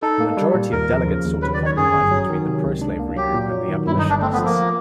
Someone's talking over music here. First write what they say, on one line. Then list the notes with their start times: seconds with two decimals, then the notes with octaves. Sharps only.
The majority of delegates sought a compromise between the pro-slavery group and the abolitionists.
0.02 D#4 A4
0.20 A#3
0.37 G3
0.54 A#2
0.72 D#2 A#4
0.90 F3
1.07 C#3
1.25 D#2
1.42 F#3 B4
1.54 D5
1.59 D#3
1.66 C#5
1.77 F#2 G#4
1.94 G1
2.11 F#3
2.30 D#3
2.47 C3
2.65 C#2
2.82 D4
2.99 A#3
3.16 F#3 G4
3.34 A#2
3.51 F#3
3.69 D#3
3.87 G2 E4
3.99 D#4
4.05 G1
4.10 D4
4.21 A3 C4
4.33 B3
4.39 F3
4.45 A#3